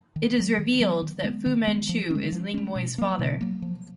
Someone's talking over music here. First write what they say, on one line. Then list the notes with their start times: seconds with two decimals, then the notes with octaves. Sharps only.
It is revealed that Fu Manchu is Ling Moy's father.
0.16 D#3
0.38 F#3 B3
0.59 D#3
0.80 F#3 B3
1.02 D#3
1.24 G#3 B3
1.46 D#3
1.67 G#3 B3
1.89 F3
2.10 G#3 C#4
2.32 F3
2.54 G#3 C#4
2.76 B2
2.98 F#3 A#3
3.19 B2
3.41 F#3 A#3
3.62 F3